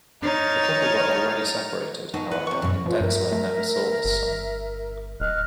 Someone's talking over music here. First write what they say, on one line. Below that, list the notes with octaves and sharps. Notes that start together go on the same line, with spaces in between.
The couple were already separated, however, and Denslow never saw his son.
D#4 C#5 F6 A6
B2 F#3 D#4
B3 B4 F#5
C3 C#6
F#2 B2
F3 F4 B4 C#5
G2 A#4 E5
A3
G1
D1 D#5 F6 F#6